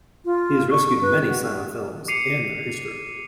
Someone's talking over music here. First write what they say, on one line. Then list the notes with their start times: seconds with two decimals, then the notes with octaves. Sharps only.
He has rescued many silent films and their history.
0.25 F4
0.71 C#6
1.02 B4
1.27 F#4
2.08 D6 C7 C#7 D#7 F7